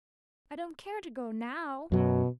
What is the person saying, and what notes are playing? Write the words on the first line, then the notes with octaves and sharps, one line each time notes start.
"I don't care to go now."
F#2 B2 F#3